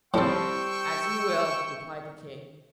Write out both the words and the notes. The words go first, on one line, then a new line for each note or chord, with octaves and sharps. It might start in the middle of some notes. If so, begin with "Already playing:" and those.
'As you will,' replied the king.
A2 F3 G3 C4 A4 G5 C#6 E6